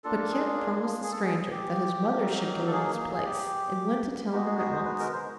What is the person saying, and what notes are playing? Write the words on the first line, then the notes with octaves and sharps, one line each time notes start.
But Kit promised the Stranger that his mother should go in his place, and went to tell her at once.
A#3 D4 F4 A4
G#4
G#4
A4
G#4
G4
F#3 A#3 D#4
A4
G#4
G#4
G4
G#3 B3 D#4 F#4 G4
G#4
G#4
C5
B4
A#4
C5